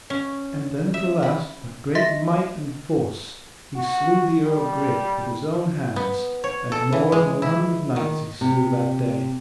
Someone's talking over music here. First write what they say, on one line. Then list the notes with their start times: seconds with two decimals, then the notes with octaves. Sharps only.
And then, at the last, by great might and force, he slew the Earl Grip with his own hands, and more than an hundred knights he slew that day.
0.10 C#4
0.94 E5
1.23 B5
1.95 D#5 E5 C6 A6 A#6
3.76 F#4
4.46 G3
5.96 B3
6.44 C#5
6.72 A4
6.93 E3
7.12 G#3
7.42 E4
7.96 D#3
8.41 C3